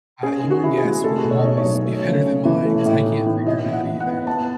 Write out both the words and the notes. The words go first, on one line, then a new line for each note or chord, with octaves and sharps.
Uh, your guess will always be better than mine, 'cause I can't figure it out either.
C#4 G#4
D#3
F#4
E4
G#4
G#3
A3 A4
B2
C#5
D#5
D#4 C#5
C#5
F#3
A3
C#3
C#4
E3
A3
A2
D#4
E3
E4 D#5
E3
F#5
E3
F#5
B3
B3 A5